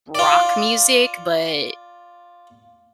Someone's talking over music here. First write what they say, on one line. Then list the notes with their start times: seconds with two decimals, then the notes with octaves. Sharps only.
rock music, but,
0.15 F4 D5